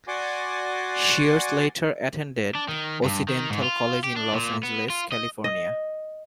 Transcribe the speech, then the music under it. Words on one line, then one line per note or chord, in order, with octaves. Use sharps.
Shears later attended Occidental College in Los Angeles, California.
F#4 D5 F#5 G#5 C6 D6
D4
D#3
G2
D#3
G#2
F4
G4
D4
A#2
B3
F4
D#5
D#5